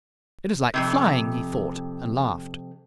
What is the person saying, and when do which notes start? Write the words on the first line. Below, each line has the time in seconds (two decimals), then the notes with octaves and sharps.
"It is like flying," he thought and laughed.
0.74 F2 G#2 C3